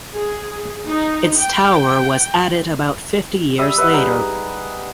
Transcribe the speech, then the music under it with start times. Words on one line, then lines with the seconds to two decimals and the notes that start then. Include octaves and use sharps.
Its tower was added about fifty years later.
0.14 G#4
0.88 D#4
1.39 G5
3.58 G3 E5 D#6 E6
3.78 B4 D#5 E5 F#5
3.91 G3 D#4 G#4 F#5